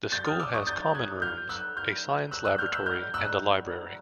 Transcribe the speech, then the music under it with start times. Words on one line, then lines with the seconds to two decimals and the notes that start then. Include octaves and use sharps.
The school has common rooms, a science laboratory and a library.
0.12 G6 A6
0.26 D#6 F6
0.40 D6 E6
0.54 C#6 D#6
0.67 G6 A6
0.94 F#6 G#6
1.22 F6 G6
1.49 E6 F#6
1.77 F6 G6
2.31 E6 F#6
2.45 E6 F#6
2.58 F6 G6
2.73 E6 F#6
2.86 F6 G6
3.14 E6 F#6